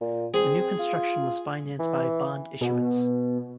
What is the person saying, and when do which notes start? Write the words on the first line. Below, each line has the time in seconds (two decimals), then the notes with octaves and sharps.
The new construction was financed by a bond issuance.
0.01 A#2
0.34 C4 G#4
0.79 F4
1.79 E3
2.61 B2